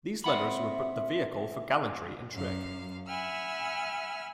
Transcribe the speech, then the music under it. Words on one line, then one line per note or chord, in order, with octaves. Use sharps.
These letters were but the vehicle for gallantry and trick.
C4 E5 F#5 B5
F#2 F5
E5 F#5 G#5 B5 E6 F6